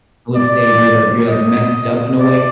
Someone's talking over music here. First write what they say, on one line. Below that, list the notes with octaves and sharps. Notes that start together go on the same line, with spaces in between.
I would say you're the you're, like, messed up in a way
D5
D#5
D5